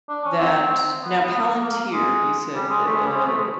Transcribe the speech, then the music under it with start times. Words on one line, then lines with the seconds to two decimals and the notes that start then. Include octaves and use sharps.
that now, Palantir, you said that, uh
0.09 D4
0.25 C#4
0.39 C4
1.01 B3
1.62 A#3
1.93 G#3
2.55 G3
2.70 G#3
2.86 A3
2.95 G#3
3.06 G3
3.16 G#3
3.27 A3
3.37 G#3